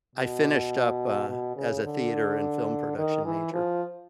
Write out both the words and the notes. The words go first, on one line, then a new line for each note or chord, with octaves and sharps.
I finished up, uh, as a theater and film production major.
B2
B2
C#3
D3
D#3
E3
F3